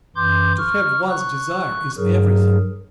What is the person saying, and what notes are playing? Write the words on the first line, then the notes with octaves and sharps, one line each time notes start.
To have one's desire is everything.
F#2 E3 C6 D6 G6
C#6 F6
C#6 F#6
G2 F#3 G#4 A#4